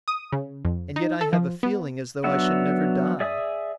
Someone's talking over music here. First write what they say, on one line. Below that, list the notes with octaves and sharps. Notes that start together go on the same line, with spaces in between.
And yet I have a feeling as though I should never die.
D#6
C#3
F2
D#4
A4
F3
B3
F#3 B3 D4 E5 F#5
G#4 D5 E5 G#5 D#6